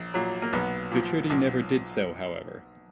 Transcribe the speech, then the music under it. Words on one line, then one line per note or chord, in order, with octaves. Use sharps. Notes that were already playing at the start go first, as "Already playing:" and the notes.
Docherty never did so, however.
Already playing: A#1
A#2 F#3
A#3
B1 B3
A#2 F3
B1